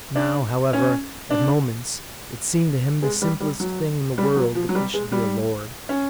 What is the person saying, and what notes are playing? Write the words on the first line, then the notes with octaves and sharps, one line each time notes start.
Now, however, at moments, it seemed to him the simplest thing in the world that he should be a lord.
D4
C#4
D4
G#3
G3
G3
F#3
G3
F#3
F3
F#3
G3
G#3
G3
C#4